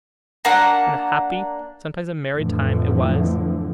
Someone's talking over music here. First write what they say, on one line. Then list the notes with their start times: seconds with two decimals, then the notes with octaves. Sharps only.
And a happy, sometimes a merry time it was.
0.45 A#3 D4 F#5
2.35 F2 A2 D3 E3 F3